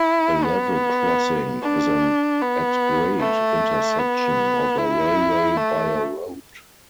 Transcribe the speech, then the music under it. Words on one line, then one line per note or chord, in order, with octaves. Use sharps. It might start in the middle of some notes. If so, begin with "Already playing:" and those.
A level crossing is an at-grade intersection of a railway by a road.
Already playing: E4
B3
D4
B3
A3
B3
E4
A3